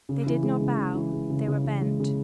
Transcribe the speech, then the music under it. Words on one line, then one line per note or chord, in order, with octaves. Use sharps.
They did not bow, they were bent.
C#3
E3
G#3
C#3
C#3
E3
G#3
C#3
C#3
E3
G#3
C#3